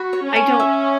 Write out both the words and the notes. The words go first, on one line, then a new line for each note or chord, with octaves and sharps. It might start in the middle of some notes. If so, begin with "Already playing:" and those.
I don't
Already playing: F#4 B5
C#5
C#4
G#5
E5